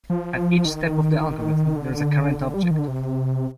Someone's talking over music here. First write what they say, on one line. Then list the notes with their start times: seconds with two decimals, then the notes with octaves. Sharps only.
At each step of the algorithm there is a current object.
0.10 F3
0.65 D#3
1.20 D#3
1.76 D3
2.54 G3
2.63 F3
2.71 D#3
2.79 D3
2.88 C3